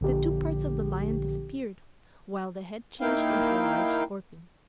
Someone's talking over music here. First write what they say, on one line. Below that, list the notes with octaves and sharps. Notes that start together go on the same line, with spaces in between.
The two parts of the lion disappeared, while the head changed into a large scorpion.
A#1 D3 G4
A#3 D#4 E4 F5 G5